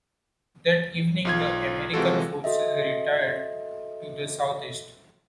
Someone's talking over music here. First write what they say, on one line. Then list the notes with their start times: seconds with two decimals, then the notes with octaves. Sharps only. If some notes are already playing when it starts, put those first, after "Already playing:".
That evening the American forces retired to the southeast.
1.25 B1 F4 G#6
1.94 C3 E3 G#3 F4 F#4 A4
2.44 F#4 A4 D#5 E5